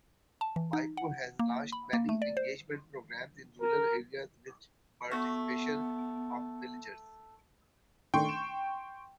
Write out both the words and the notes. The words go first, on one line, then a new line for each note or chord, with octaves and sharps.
Vaiko has launched many engagement programmes in rural areas with the participation of villagers.
A5
E3
D#4
F#5
A#3
B5
A#3
A3
D5
C5
A#4
A3 B3 F#4
D#3 A3 D4 G5 C6 C#6
E7